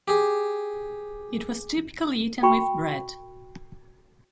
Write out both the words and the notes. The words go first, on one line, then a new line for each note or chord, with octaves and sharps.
It was typically eaten with bread.
G4 G#4
F#4 G5 B5 C#6